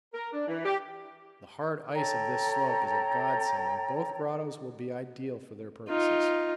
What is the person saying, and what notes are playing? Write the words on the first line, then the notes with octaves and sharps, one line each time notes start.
The hard ice of this slope is a godsend and both grottoes will be ideal for their purposes.
A#4
D4
E3
G4
A4 C#5 G5 A#5
D#4 F4